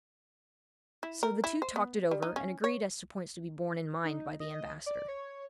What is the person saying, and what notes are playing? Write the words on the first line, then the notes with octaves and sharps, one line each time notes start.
So the two talked it over and agreed as to points to be borne in mind by the ambassador.
E4
A#4
E4
C5
B3
G3
D#4
C#4
C#5
D#4
D#5
D5
C#5